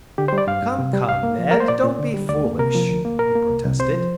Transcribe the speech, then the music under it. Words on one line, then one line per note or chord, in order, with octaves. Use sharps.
"Come, come, Ned, don't be foolish," he protested.
D3 G4
C5
G3
D5
G2 F5
G2
C3
G3
C2 F5
A#3
F3
A#3 A#4
C5
A#2 D5
A#2
D3
G3
D2 D5
A#3
C3 A#4
F3
D2
A#3
A#2 A#4
A#3
C2
C2
C3 C5
F3